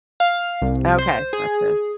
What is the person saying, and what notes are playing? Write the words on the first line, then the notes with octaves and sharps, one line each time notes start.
Okay. Gotcha.
F5
C2
C5
G#4